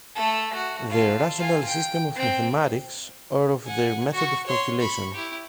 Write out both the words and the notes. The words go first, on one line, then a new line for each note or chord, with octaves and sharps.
Their rational system of mathematics, or of their method of calculation.
A3 A4
F#4
F4 A4
F4 G#5
G5
C4 G5
F#5 G#5
F#4 C#6
C#5 C6
B5 C#6
E4 G4